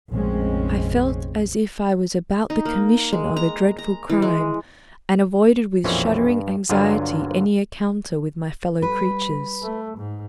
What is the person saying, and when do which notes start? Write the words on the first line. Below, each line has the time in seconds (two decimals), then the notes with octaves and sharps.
I felt as if I was about the commission of a dreadful crime and avoided with shuddering anxiety any encounter with my fellow creatures.
0.11 F1 A#1 G#3 C4 C#4
2.50 D#4
2.65 A#3
3.12 G#3
3.37 A#5
3.78 A#5
4.10 E3
4.22 G#3
5.84 A#1 F2 B2 E3 C4 C#4
6.29 G2
6.69 G2 D3 F#3 F4 A#4 G#5
8.82 G3 B4
9.62 A3
9.98 G#2